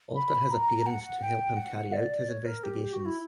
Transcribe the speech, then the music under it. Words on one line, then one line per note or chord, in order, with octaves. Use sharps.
Alter his appearance to help him carry out his investigations.
B5
A#5
F#5
G5
F#5
D5
C#5
A#4
G4
G4
F#4
E4